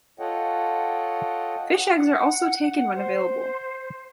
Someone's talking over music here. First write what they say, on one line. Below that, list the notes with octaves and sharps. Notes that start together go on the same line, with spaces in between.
Fish eggs are also taken when available.
F4 A4 C#5 D#5 F#5 G5
F#5
C5